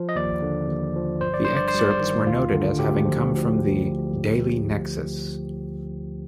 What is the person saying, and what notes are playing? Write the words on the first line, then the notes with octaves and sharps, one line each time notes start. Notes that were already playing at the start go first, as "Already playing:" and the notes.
The excerpts were noted as having come from the "Daily Nexus".
Already playing: F3
D#5
D#2 D5
D3
D#2
F3
G1 C5
D5
G2 C5
D5
C5
G3 D5
C5
D#3
D2 F4
D3
D2 G4
F3
D2